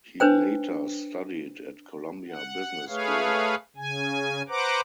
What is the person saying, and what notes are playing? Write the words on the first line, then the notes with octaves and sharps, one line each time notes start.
He later studied at Columbia Business School.
D4 B4 C5 G5
F#5
A3 G#4 B4 C#5 F5
C#3 G#5
B4 C5 F#5 A#5 D6